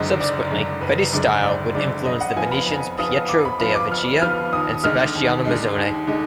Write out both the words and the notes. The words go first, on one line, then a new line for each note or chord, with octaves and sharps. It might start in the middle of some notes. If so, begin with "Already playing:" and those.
Subsequently, Fetti's style would influence the Venetians Pietro della Vecchia and Sebastiano Mazzone.
Already playing: F#1 F#2 D3 G#3 D#5
F#1 D5
F#2 D3 G#3
F#1 B4
F#2 D3 G#3 D5
F#1 D5
F#2 D3 G#3 D5
F2 D#5
F#5
F3 B3 F4 G#5
B5
F2
F3 B3 F4 D#6
F2 D6
B5
F3 B3 F4 B5
D6
F2 F6
F3 B3 F4 F6
D#2 D#6
D3 G#3 D#4 F6
D#2
D3 G#3 D#4
D#2
D3 G#3 D#4